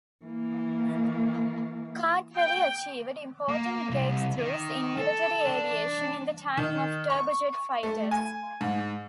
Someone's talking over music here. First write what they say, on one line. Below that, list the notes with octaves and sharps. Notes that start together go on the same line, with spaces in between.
Kartveli achieved important breakthroughs in military aviation in the time of turbojet fighters.
E3 A#3
G5
A#3
C2
D#3
A4
D4
D#3
C#6
A3
G#5
G#2